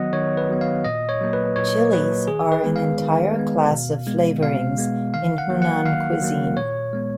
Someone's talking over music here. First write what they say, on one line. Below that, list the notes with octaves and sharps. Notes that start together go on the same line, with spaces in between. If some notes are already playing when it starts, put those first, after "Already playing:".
Chilies are an entire class of flavourings in Hunan cuisine.
Already playing: D#3 F#3 B3 D#5 F#5
D#3 C#5
B4
F#3 B3
F5
A#2 D#5
C#5
F#3 A#3
B4
A#2 C#5
F#3 A#3 B4
D#3 G#4
B4
G#3 B3
F5
D#3
G#3 B3
B2
G#3 B3
B2 F5
G#3 B3
D#3 F5
F#5
F#3 A#3
F#5
D#3 F5
F#3 A#3
A#2 C#5
G#3 B3